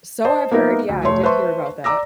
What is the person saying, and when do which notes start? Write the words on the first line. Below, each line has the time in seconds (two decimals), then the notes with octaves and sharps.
So I've heard, yeah, I did hear about that.
0.25 C5 D#5 A5
0.51 A#3 B3 D#4 A#4 E5
0.89 D2
1.03 F1 A3 C#5 C6
1.23 B4 C5 E5 A5 C6 C#6
1.84 D5 A#5 D6 E6 A#6